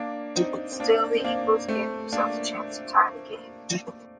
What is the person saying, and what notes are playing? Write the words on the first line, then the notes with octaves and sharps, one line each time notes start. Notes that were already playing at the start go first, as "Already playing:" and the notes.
Still, the Eagles gave themselves a chance to tie the game.
Already playing: A#3 D4
C4 D#4
C4
A#3 D4
C4
A#3 D4
A3 C4
A#3 D4